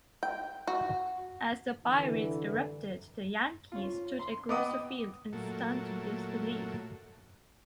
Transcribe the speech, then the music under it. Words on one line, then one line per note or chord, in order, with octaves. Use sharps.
As the Pirates erupted, the Yankees stood across the field in stunned disbelief.
G5
F#4
C2 D3 E3
C#4 F4
C6
B3 D#5 F#5 G5 D6 D#6
A#2 F#3 A3